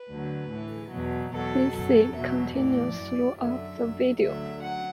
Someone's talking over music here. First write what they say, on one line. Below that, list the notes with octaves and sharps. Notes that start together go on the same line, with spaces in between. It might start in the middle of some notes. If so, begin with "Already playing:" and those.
This theme continues throughout the video.
Already playing: B4
D2 D3 F#3
A2 E3
E2 B2 F#3
E2 B2 F#3 A4
F#2 F#3 A4
E2 B2 F#3 E5
A2 E3 D5
F#2 E3
F#2 D3 F#3 E5
F#2 F#3
D2 D3 F#3 E5
F#3 F#5